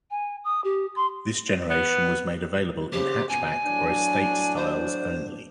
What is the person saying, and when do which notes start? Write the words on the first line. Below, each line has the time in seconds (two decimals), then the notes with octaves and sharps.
This generation was made available in hatchback or estate styles only.
0.11 G#5
0.44 D#6
0.64 G4
0.96 C6
1.70 B3
2.93 C#3 G4 C5
3.29 C#2 B2 G#5
3.66 A2 F#3 D4
4.57 C5